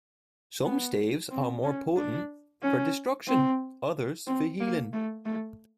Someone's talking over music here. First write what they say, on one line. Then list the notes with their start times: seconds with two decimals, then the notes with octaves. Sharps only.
Some staves are more potent for destruction; others, for healing.
0.64 B3
1.31 C4
1.64 C#4
1.96 D4
2.63 C#4
3.28 C4
4.27 C4
4.60 A#3
4.93 A3
5.25 A3